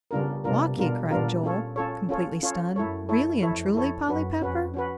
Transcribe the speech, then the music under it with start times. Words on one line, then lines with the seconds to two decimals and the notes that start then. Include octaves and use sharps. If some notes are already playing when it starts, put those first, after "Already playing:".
"Whockey!" cried Joel, completely stunned, "really and truly, Polly Pepper?"
0.11 C#3 G3 B3 D4 F4 A#4
0.44 C3 G3 B3 D4 F4 A#4
0.77 B2 G3 B3 D4 F4 A#4
1.10 A#2 G3 B3 D4 F4 A#4
1.44 C#4 F4 A4 C#5
1.76 C#4 F4 A4 C#5
2.09 C#4 F4 A4 C#5
2.43 C#4 F4 A4 C#5
2.76 F#2 E4 A4 C#5
3.09 E4 A4 C#5
3.42 F2 E4 A4 C#5
3.74 F2 E4 A4 C#5
4.07 F#2 C#4 F#4 B4
4.41 F2 C#4 F#4 B4
4.74 C#4 F#4 B4